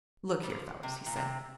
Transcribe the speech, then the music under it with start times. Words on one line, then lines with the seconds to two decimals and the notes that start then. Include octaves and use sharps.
"Look here, fellows," he said.
0.43 G3
0.50 F3
0.83 C3
1.06 A#2
1.16 C3